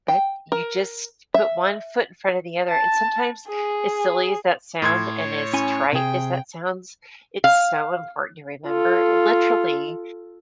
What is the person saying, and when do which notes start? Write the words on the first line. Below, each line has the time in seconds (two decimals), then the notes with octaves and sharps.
that you just put one foot in front of the other. And sometimes as silly as that sound and as trite as that sounds, it's so important to remember literally
0.08 G5
0.52 A#4
1.34 E5
2.68 A5
3.48 G#4
4.82 A2 C6 G#6
5.17 C#5
5.53 C#4 E4 G#5
5.93 C3 G#4 G5
7.44 F5
8.67 F4 A4